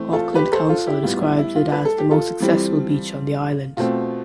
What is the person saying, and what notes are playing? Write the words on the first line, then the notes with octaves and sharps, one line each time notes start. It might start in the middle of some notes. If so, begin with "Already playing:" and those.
Auckland Council describes it as the most accessible beach on the island.
Already playing: E3 A3 C4
F4 A4
G4 B4
A4 C5
F4 A4
E4 G4
A2 G3 B3 F4
E4
E4
F4
B4
A4
G4
F4 A4
E3 G3 C4
B2 A3 C4 F4